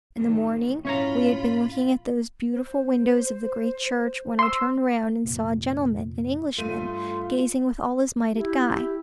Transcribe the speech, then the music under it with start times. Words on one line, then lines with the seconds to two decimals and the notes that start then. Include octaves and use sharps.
In the morning, we had been looking at those beautiful windows of the great church, when I turned round, and saw a gentleman--an Englishman--gazing with all his might at Guy.
0.16 F#2 A2 D#3
0.85 A#1 G#2 C#4 E4 F4 C#5 A#5 B5
2.53 C5
4.39 C6 E6
5.25 F1 A#1 A#2
6.58 G2 A3 F4 C6 D#7
8.33 E4 G4